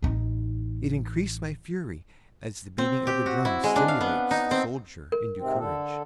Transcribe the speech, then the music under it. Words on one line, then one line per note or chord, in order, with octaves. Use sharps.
It increased my fury, as the beating of a drum stimulates the soldier into courage.
A1 D#4
C4
G4
F#4
E4
G#3
D4
F5
B3
D#4
C4
A#4
G#2 C3 C4
D3 A4